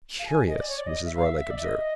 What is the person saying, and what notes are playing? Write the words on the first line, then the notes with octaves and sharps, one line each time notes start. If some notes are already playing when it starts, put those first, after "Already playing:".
"Curious!" Mrs. Roylake observed.
F5
A5
G#5
D#5
D5
C#5
D5
D#5
E5
F5
E5
E5
D5
E5
D#5